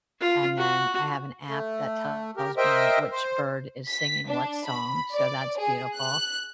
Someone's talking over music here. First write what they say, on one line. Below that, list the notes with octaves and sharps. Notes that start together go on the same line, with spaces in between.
and then I have an app that tells me which bird is singing what song, so that's beautiful,
F4
F#4
A3
G4 A#4
A#4 C5 D#5 E5 G5
C5
B6
D4
B5
D5
G#4
F#6